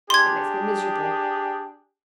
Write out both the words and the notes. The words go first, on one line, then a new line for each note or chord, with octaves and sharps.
It makes me miserable.
D4 G4 G#4 C6 G#6